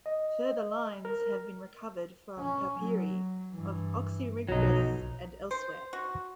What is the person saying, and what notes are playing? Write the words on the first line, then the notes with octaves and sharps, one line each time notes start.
Further lines have been recovered from papyri of Oxyrhynchus and elsewhere.
D#5
A#4
C#4
F#3
G2 E3
B1 F3 F#3 D#4
C5
F#4